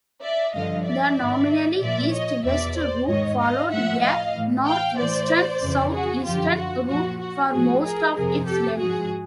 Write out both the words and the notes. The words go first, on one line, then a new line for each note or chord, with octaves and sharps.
The nominally east-west route followed a northwestern-southeastern route for most of its length.
D5 E5
G2 D3 F3 D#5 F5
D5 E5
G#2 D#3
A#2 F3 D5 E5
C#5 D#5
E2 B2 D5 E5
C5 D5
G#2 D#3 C#5 D#5
D#5 F5
A2 F3 E5 F#5
D#5 F5
A2 E3
F5 G5
A2 E3 C5 D5
F2 C#3 E3
F#4 G#4
F#2 D3 F3 F4 G4
F#4
A#2 F3 F#4
F#4
A2 F3 F#4 G#4
G#4 A#4
F2 C3 F3 G#4 A#4
G4 A4
G#2 F3 F#4 G#4